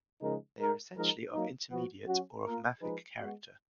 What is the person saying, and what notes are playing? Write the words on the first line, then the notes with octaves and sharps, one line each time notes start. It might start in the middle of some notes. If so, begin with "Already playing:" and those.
They are essentially of intermediate or of mafic character.
C#3 F3 G#3 D#4 A#4
G#3 D#4 A#4
F3 G#3 D#4 A#4
F#3 A#3 D#4
F3 B3 F#4
F#3 C#4 F#4
A#3 F4 A#4
F3 G#3 D#4 G#4 B4
G#3 B3 F#4